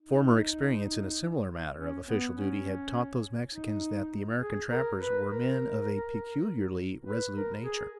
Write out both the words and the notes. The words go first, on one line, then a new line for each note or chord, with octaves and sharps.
Former experience in a similar matter of official duty had taught those Mexicans that the American trappers were men of a peculiarly resolute nature.
D#4
C#4
B3
C#4
D#4
G#4
A#4
B4
A#4
B4
A#4
G#4